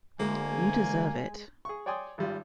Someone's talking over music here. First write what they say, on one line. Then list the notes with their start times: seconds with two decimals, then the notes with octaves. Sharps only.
You deserve it.
0.20 D2 G#3 A#3 G#5
1.65 G#4 C#6
1.86 C#5 D5 G5 G#5 C6 D#6
2.18 G#1 G3 F4